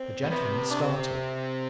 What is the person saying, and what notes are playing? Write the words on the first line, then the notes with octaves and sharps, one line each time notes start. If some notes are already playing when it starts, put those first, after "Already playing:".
The gentleman started.
Already playing: C4
B2
C3 B3
D4
C4